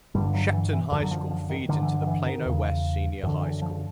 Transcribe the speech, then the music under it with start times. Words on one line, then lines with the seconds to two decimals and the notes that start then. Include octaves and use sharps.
Shepton High School feeds into Plano West Senior High School.
0.15 G2 D3 G3
0.34 F#3
0.53 E3
0.73 E3
0.92 F#2 D3 F3
1.03 F#3
1.11 F3
1.30 F3
1.50 D#3
1.69 G2 D3 D#3
1.82 E3
2.02 D#3
2.07 E3
2.26 D#3
2.46 E2 C#3
3.23 F#2 E3
3.27 D3
3.42 E3
3.62 F3